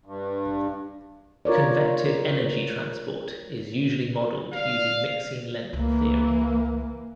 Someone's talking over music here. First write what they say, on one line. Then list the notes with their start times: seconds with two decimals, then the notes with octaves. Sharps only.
Convective energy transport is usually modeled using mixing length theory.
0.06 G2
1.45 F4 A#4 C#5 D5
4.53 D5 F5
5.73 C#2 E3 A#3